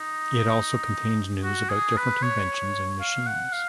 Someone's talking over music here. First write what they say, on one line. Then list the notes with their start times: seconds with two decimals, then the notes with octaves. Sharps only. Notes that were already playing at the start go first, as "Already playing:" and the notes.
It also contains news about different inventions and machines.
Already playing: D#4
1.43 F#4
1.70 G#4
1.97 B4
2.23 C#5
3.00 F5
3.26 F#5
3.52 F5